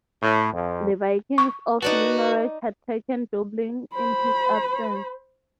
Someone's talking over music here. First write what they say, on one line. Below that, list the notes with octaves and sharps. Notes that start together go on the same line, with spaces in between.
The Vikings of Limerick had taken Dublin in his absence.
A2
F2
C#6
D#4 F#4 B4 D5 A5
C5 B5